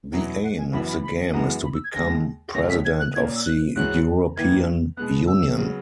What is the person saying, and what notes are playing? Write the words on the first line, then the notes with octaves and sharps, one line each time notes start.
The aim of the game is to become President of the European Union.
E2 B2 F#3 B3 E4 A#5
F#5
G#5
F#2 E3 B3 F#4 B5
B5
B5
F#2 E3 G#3 B3 F#4 A#5
B5
E6
G#6
D#2 C#3 G#3 A#6
C#2 B2 G#3 C#4 E4 A#6
B6
G#6
F#6
A#2 A#3 C#4 G#6
E6
F#6
G#2 E3 G#3 C#4 F#4 F#6
E2 D#3 A#3 E4 B4 G#6
B2 G#3 B3 F#6
E6
C#3 F#3 B3